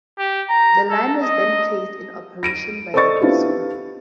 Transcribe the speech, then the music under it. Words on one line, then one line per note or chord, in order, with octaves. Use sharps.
The line was then placed in operation by the Frisco.
G4
A#5
A4
D#5
A#6 D7 D#7
A4 C5 D5 D#5 C#6 A6
B3 C4 D4 E4 F4 G4